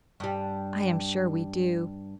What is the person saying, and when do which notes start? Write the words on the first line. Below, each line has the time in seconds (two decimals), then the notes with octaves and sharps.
I am sure we do.
0.20 G2 G3